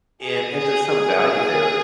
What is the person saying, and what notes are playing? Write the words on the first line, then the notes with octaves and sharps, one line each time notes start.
and and there's some value there.
G#4
G#4
G#4